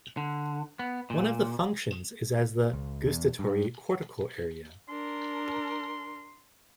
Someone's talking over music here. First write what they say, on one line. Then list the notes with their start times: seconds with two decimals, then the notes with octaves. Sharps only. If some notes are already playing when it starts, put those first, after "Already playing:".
One of the functions is as the "gustatory cortical area".
0.17 D3
0.79 B3
1.10 A#2
2.73 C#2
3.05 E2
3.39 G2
4.89 D4 A#4 C6